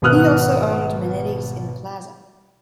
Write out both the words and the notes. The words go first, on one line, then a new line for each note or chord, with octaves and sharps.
He also owned Manetti's in the Plaza.
G#1 B2 B3 D#6 F6 F#6